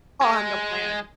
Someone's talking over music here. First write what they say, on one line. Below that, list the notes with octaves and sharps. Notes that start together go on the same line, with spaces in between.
on the planet.
G#3